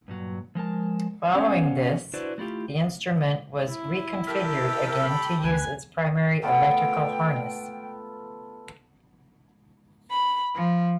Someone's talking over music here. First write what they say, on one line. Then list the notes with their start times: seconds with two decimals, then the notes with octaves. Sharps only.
Following this, the instrument was reconfigured again to use its primary electrical harness.
0.08 G2 A#2 F#3
0.55 F3 G#3 A#4 A5
1.33 B3 C#4 G4 C5 F5 F#5
2.13 D4 E4 F#4 B4 C5 D5
2.38 A3 E4 F4 G4
3.68 E4
4.27 G4 A4 A#4 E5 G5
5.01 B5
5.44 D2 B4 G#5
6.43 A3 B3 F4 G5
10.11 B5
10.55 F3